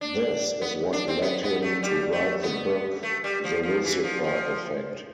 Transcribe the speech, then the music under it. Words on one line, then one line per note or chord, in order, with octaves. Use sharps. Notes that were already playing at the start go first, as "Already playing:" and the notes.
This is what led him to write the book "The Lucifer Effect".
D4
B3
D4
C4
B3
B3
A3
G3
A3
B3
A3
G3
F3
F3
E3
F3
F3